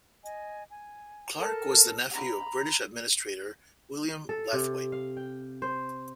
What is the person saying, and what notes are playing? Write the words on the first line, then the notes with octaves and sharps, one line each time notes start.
Clarke was the nephew of British administrator William Blathwayt.
D#5 G#5
G#5
A4 A#4 A5
A#5 B5
A4
C3
F5
G5
C5